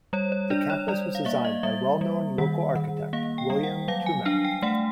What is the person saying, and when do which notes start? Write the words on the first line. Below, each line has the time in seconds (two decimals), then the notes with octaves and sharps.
The campus was designed by well-known local architect William Toomath.
0.13 G3 C#5
0.32 C#5
0.50 D4 D5
0.70 C#5
0.88 G3 D5
1.15 F5
1.25 A#3 E5
1.45 D#5
1.63 G3 E5
2.01 G3
2.38 D#3 F#5
2.75 D#3
3.13 A#3 F5
3.38 G5
3.50 G3
3.63 F#5
3.88 F#3 F5
4.06 G#5
4.25 D4 G5
4.45 G5
4.62 A3 F#5